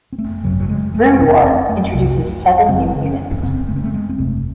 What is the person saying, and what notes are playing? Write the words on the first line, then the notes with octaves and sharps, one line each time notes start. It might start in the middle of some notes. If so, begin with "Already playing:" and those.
"Brood War" introduces seven new units.
C4
A3
G#1 F#2 C#3 F#3
F#3
G#3
A3
E1 E2 C3 C4
C#4
C4
A3
C2 C3
F#1 F#2 C#3 C4
C#4
F#1 E2 C#3 C4
A3
C4
A3
G#3
C4
F#1 E2 C3 A3